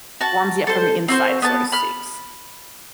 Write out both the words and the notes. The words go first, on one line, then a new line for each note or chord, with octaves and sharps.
warms you up from the inside sort of soups.
F#4 A5
A4 C5
C4 F#4 C5
B3 A5
B5 F6